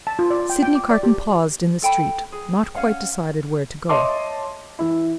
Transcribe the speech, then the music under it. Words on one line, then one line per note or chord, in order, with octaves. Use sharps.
Sydney Carton paused in the street, not quite decided where to go.
A5
F4
D5
G5
G5
D6
D5
G4
A4 G5 B5
G#4
C#4 F5 F#5
C#5 D#5 E5 A5 C6 D6
E3 E4